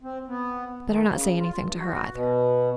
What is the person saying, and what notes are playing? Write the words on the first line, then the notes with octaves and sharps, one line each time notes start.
"Better not say anything to her either."
C4
B3
D#3
C#3
F4
G2
F#4
B2